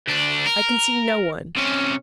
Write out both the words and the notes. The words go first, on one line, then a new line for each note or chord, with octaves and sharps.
I can see no one.
D2 D4
A#4
C3 C#4